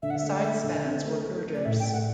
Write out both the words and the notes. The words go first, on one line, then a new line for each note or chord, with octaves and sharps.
The side spans were girders.
D3 E5
F#5
E5
A3
A3 E5
D3
C4
A3
A3
A3
D5
A2 E5
G5
A3
F#5